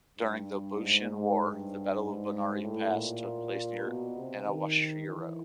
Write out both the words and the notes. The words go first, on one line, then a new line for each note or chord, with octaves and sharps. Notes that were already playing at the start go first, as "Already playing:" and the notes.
During the Boshin War, the Battle of Bonari Pass took place near Inawashiro.
G2
G#2
G#2
G2
G#2
A2
A#2
B2
C3
D#3
E3